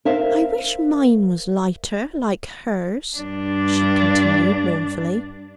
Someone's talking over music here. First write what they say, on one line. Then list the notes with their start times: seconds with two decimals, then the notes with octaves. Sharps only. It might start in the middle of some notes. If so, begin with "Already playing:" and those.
"I wish mine was lighter, like hers!" she continued mournfully.
0.05 A#4 C5 E5 F5
3.17 G2 D4